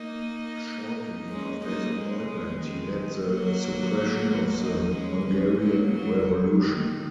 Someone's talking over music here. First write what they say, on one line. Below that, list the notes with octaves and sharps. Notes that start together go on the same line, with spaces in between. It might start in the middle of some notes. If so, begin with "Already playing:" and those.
Shortly after his appointment he led the suppression of the Hungarian Revolution.
Already playing: A#3 D#4
G#3 C#4
A#3 D#4
G#3 C#4
D#3 G#3
F#3 A#3
A#3 D#4
G#3 C#4
G#3 C#4
F#3 A#3
C#3 F#3
C#3
D#3